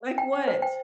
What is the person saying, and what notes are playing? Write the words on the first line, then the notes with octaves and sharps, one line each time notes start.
Like what?
G5
G5
C5
G5